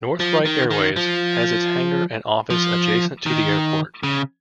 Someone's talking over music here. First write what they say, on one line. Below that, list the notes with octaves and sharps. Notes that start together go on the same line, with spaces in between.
North-Wright Airways has its hangar and office adjacent to the airport.
F3
D#3
D#3
F3
F3
D#3
C#3